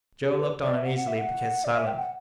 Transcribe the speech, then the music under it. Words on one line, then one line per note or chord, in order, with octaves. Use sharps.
Joe looked on uneasily, but kept silent.
G4
B4
D5
E5
F#5
F#5
E5
F#5
D5
E5
G5
F#5